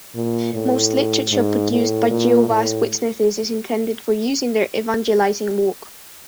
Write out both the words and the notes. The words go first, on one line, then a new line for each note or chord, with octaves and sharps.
Most literature produced by Jehovah's Witnesses is intended for use in their evangelizing work.
A#2
A2
G#2
A2
A#2
A2